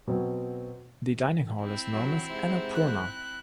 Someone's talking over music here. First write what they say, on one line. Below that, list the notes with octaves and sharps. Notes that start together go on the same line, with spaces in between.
The dining hall is known as "Annapoorna".
B2 F#3 C4
C4 E4
F#3
G#2 C3 C5
F#6